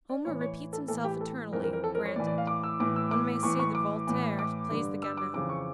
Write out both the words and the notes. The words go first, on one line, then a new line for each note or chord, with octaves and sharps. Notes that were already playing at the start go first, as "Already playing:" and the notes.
Homer repeats himself eternally, granted; one may say that Voltaire plays the gamin.
D5
A2 E3 C#5
C#5
A4
A2 E3 A4
G4
A4
F2 E3 A#4
A#4
A#4
A4
A#4
C#5
A2 E3 D5
D5
F5
D6
E6
A2 E3 D6
E6
D6
A2 E3 C#6
C#6
D6
A2 E3
D6
G2 D3
E6
D6
F2 C#3 E3 D6
C#6